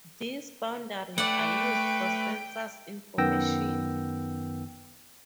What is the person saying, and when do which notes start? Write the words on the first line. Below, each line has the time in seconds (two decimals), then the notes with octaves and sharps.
These boundaries are used for census information.
1.18 A3 B4 D5 F#5 G5
3.18 F#2 D#3 B3 G5 E6 A#6